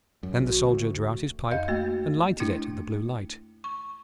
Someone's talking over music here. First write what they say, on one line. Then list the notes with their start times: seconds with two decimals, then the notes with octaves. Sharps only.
Then the Soldier drew out his pipe, and lighted it at the Blue Light.
0.23 F#2
0.40 A#1 F#4
0.64 D2
1.51 F2 D#5 G6
1.68 A3 A#3 F#4
2.40 A3 D4 E4
3.64 C#6